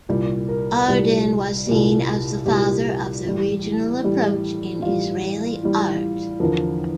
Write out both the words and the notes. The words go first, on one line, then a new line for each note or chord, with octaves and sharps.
Ardon was seen as the father of the regional approach in Israeli art.
C2 A#2 G3 G4
A#4
C2 A#2 G3
C2 A#2 G3
C2 A#2 G3 G4
A2 E3 G3
A2 E3 G3
A2 E3 G3 F4
A2 E3 G3
E2 D3 F3 A#4